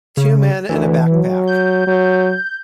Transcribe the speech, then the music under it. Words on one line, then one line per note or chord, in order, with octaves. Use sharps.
Two men and a backpack.
C#3
D2 E3
F#3
G6
F#3